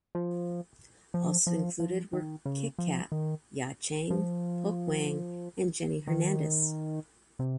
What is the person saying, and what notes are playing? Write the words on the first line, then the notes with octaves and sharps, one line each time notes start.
Also included were Kitkat, Ya Chang, Pokwang and Jenny Hernandez.
F3
F3
F3
F3
D#3
C#3
F3
D#3
F3
D#3
C3